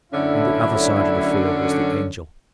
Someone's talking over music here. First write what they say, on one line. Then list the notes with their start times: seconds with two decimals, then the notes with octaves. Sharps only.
On the other side of the field was the Angel.
0.13 F#2 D3 A3 C#4 D4 E4